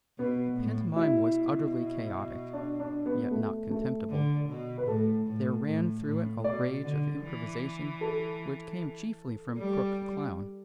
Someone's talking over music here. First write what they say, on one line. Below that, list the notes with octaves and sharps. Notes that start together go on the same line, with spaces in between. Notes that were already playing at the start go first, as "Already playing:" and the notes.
The pantomime was utterly chaotic, yet not contemptible; there ran through it a rage of improvisation which came chiefly from Crook the clown.
B2 B3
A2
B2 E4
D4
D4
B3
A3
A3
D3
B2
B4
A2 A4
A2
A2
A2
B2 D5
D3
E3
A4
G3